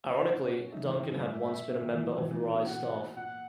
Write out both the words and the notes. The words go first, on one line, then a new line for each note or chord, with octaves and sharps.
Ironically, Duncan had once been a member of Wrye's staff.
D#4 F#5
C#4
C#4
D#4 E5
E3
D#3
F#2
G#2 E5
A#2
B2
D#3
E3
F#3
E3
E3
A#2
B2
B2 F#5
A#2 F#5